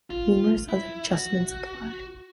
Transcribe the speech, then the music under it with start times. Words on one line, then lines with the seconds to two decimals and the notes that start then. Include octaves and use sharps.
Numerous other adjustments apply.
0.10 F4
0.69 E4
1.12 F#4